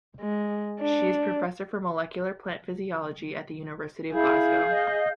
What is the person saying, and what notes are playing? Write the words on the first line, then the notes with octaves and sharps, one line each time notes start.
She is professor for Molecular Plant Physiology at the University of Glasgow.
G#3
D4
E4 G#4 F5 G6
D#5